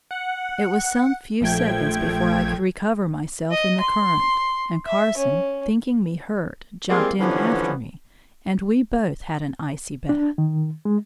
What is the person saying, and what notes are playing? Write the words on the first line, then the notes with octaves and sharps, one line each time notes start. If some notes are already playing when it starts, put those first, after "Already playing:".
It was some few seconds before I could recover myself in the current, and Carson, thinking me hurt, jumped in after me, and we both had an icy bath.
F#5
A#1 F3 A3 G5 G#6
D#5
C6
E5
C#4
G3 G#3 A#3 C4 F4 G#4
D3 E3 F3 G3 B3 C#4
D4
D#3
G#3